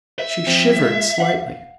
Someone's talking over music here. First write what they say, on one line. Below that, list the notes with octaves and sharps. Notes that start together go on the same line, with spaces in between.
She shivered slightly.
E5
F3 C4
G#3 F4
F5 F#5